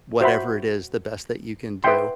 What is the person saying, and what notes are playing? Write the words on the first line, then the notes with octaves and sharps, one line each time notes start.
whatever it is, the best that you can do.
F#4 C5 E5 B5
B4 E5 G5 C6